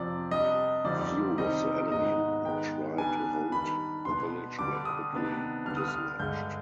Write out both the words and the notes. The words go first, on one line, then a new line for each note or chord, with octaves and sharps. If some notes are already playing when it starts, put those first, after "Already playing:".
A few of the enemy who tried to hold the village were quickly dislodged.
Already playing: F2 C3 F3 D5
C3 G3 D4 D#5
F2 D3 G3 C4 D#4 D5
D5
C3 D#3 G3 C4 D#4 D#5
G#2 D#3 B3 D#4 D#5
D#3 G#3 B3 D#4 G5
D#3 G3 B3 D4 G#5
D#3 G3 D4 B5
B2 B3 D4 C6
D3 G3 D4 D6
D#6
C3 D#3 B3 D4
D3 G3 D4 F6
D#6
F6
G2 D3 G#3 G6